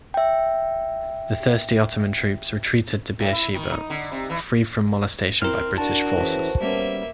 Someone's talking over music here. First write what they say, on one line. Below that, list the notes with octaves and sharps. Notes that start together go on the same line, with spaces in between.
The thirsty Ottoman troops retreated to Beersheba, free from molestation by British forces.
E5 G5
A2
E4
D#3
D#4
D3
C3
E3
C4 E4 A#4 F6
D4 F#4 A#4 A5
E3 C#4 G#4 C5
G3 A#3 B3 C#4 E5